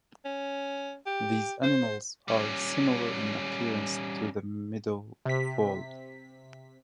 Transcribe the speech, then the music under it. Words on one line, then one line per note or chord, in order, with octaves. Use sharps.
These animals are similar in appearance to the meadow vole.
C#4
G4
C5
G3 C#4
C3 B6